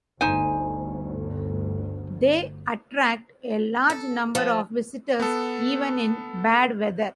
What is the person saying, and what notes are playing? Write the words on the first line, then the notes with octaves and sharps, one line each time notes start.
They attract a large number of visitors even in bad weather.
G1 D2 D#4 C5 G#5
A4
F3
B3 A4